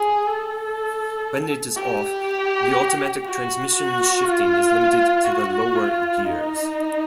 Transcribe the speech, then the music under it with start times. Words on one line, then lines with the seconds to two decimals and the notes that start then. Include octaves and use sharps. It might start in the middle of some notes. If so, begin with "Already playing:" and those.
When it is off, the automatic transmission shifting is limited to the lower gears.
Already playing: G#4
0.27 A4
1.76 G4
3.27 F#4
3.75 F#4
4.25 F4
5.25 F#4
5.75 F4
6.25 D#4